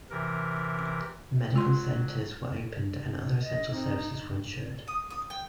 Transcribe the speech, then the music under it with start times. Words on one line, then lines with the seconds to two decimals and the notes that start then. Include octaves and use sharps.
Medical centres were opened and other essential services were ensured.
0.10 C3 E3 A#4
1.54 F#3 G#3 F4 C6
3.41 D#5
3.72 C4 D#4
4.88 D#6
5.10 D#6
5.30 G5